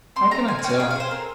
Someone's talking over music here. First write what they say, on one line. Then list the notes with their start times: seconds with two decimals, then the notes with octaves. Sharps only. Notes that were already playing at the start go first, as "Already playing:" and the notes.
How can I tell?
0.16 C4 C6
0.31 C4 A#5
0.48 A#3 G#5
0.59 G#5
0.63 C#4 G5
0.69 G#5
0.79 G#4 G5
0.91 F5
0.95 G#4 C5
1.11 C4 A#4